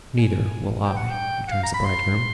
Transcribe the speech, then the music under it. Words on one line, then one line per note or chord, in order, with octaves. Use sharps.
'Neither will I,' returns the bridegroom.
G#5
G5
F#5
G5
F#5
F5
A#5
B5
C6